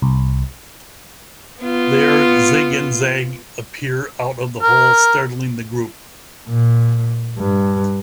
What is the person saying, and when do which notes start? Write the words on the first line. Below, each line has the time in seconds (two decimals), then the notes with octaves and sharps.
There, Zig and Zag appear out of the hole, startling the group.
0.02 C2
1.60 B3 F4
4.62 A#4
6.49 A#2
7.38 G2